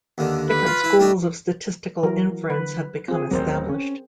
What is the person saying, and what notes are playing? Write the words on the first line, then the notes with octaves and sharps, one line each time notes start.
Different schools of statistical inference have become established.
D#2 D3
B4
F4
E4
A3 D4 D#4
E3 F#3 A#4
D3 B4
C4 F4 G#4
D1 A1 D#2 F#3 C4 A#4 C5
C#4